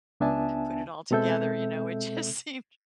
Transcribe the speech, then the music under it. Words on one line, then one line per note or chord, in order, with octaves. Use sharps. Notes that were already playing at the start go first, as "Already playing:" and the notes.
put it all together, you know, it just seemed
C#2 B3 D4 E5 G#5 A5
B2 G#3 C4 A4 E5 G6